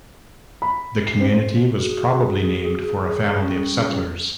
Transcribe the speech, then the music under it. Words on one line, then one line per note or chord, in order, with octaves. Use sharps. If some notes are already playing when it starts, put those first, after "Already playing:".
The community was probably named for a family of settlers.
B5
C7
C4
C5
F#4 G#4
G3 C#4